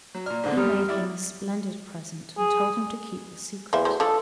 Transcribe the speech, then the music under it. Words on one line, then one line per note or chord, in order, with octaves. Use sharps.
He made him a splendid present, and told him to keep the secret.
F#3
A#2 D5 A#5 F6
G#2 D3
F#2 G3 G4 D#6 F6
E4 D5
G#4
E2 A#3 C5 E5
F#3 A3 C5
F3 G#3 D4 A4